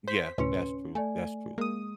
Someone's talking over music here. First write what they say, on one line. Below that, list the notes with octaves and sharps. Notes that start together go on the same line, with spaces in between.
Yeah. That's true, that's true,
C5 B6
D2 A2 C3 C#4 B4 C6 C#7
A3 D5 G#5
G#3 A#3 D#6